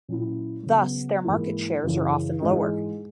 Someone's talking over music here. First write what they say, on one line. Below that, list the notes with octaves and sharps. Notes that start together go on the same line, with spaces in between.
Thus their market shares are often lower.
A#2 F#3 C#4 E4
C#3 F#3 B3
G#2 E3 A#3 E4
F#2 C#3 E3
G#2 E3 G#3 D#4